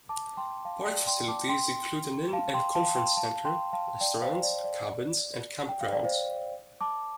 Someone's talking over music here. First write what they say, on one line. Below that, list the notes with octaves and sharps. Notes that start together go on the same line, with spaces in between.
Park facilities include an inn and conference center, restaurant, cabins, and campgrounds.
A5 D6
G5 C6
F5 A5
D5 G5
G5 C6
A5 D6
G5 C6
F5 A5
G5 C6
F5 A5
G5 C6
F5 A5
G5 C6
F5 A5
D5 G5
C5 F5
D5
D5
G5
F5
D5
C5 F5
A5 D6